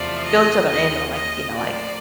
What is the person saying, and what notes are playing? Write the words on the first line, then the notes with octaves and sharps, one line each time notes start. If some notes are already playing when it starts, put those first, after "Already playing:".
fill each other in on, like, you know, like,
Already playing: E2 C3 F3 A3 D5
D#5
D#2 C#3 F3 D#5
D#5
A2 F3 A#3 D5